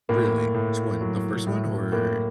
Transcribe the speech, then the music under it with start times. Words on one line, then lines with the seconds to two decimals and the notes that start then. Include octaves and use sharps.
Really? Which one? The first one? Or
0.09 A2 A#3
0.54 A2
1.01 F#3
1.47 A2
1.92 A2 A#3